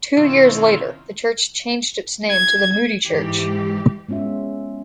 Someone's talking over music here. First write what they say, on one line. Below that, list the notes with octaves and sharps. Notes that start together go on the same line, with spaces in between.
Two years later, the church changed its name to the Moody Church.
B2 D#3 C4 C#4 E4 F4
G#6
G#2 E3 G4
G#3 B3 C#4 F4 E5